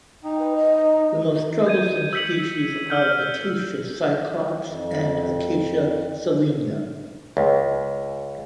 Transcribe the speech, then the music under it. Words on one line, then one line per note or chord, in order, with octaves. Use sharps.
The most troublesome species are "Acacia cyclops" and "Acacia saligna".
D#4 G5
B4
D#5
G6 G#6 D#7
E6 G6 B6 C#7 F#7
E6 F6 G6
F2
C#2